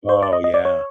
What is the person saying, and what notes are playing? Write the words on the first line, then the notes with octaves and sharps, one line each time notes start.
Oh, yeah.
C5
D5
D#5
D#5
D5
C#5